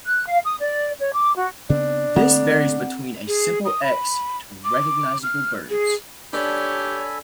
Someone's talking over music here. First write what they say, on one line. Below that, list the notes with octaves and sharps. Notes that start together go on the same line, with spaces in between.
This varies between a simple X to recognizable birds.
F#6
F5
D#6
D5
C#5
D6
F#4
C#3 B3 C4 D4
D3 A3 A#3 C4 F#5
G#4
D#6
B5
D6
F6
G#4
D4 G4 A4 B4 C#5 D5 G#5 B5